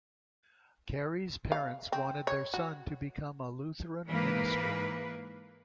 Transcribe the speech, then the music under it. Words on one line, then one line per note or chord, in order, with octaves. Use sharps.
Carey's parents wanted their son to become a Lutheran minister.
F5
C4
C#5
F#4
G#2 E3 A#3 B4